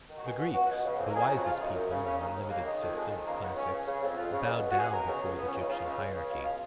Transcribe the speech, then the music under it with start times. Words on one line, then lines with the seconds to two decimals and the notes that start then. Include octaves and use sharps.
The Greeks, the wisest people in our limited system of classics, bowed down before the Egyptian hierarchy.
0.08 D#3
0.18 F#4
0.24 B2 G#4
0.39 C#2 F#4
0.54 C#2 F#4
0.70 B2
0.84 C#3
1.00 F2
1.10 A#4
1.15 F2 G#4
1.25 A#4
1.30 C#3 F#4
1.45 C#3 F4
1.60 F#2 D#4
1.75 F#2
1.91 C#3
2.06 C#3 C#4
2.20 D#2 D#4
2.36 D#2
2.50 C#3 A#3
2.66 D#3
2.82 F2
2.96 F2 G#3
3.12 D#3
3.26 C#3 A#3
3.42 C#2 B3
3.56 C#2 C#4
3.72 C#3
3.87 C#3
4.03 F2
4.17 F2 F4
4.32 C#3
4.48 B2
4.63 C#2
4.72 F#4
4.78 C#2 G#4
4.93 B2 A#4
5.09 C#3
5.23 C#2
5.38 C#2 B3
5.49 C#4
5.54 C#3 D#4
5.69 C#3 F4
5.85 C#2
5.99 C#2
6.14 C#3
6.29 B2 F4
6.44 F4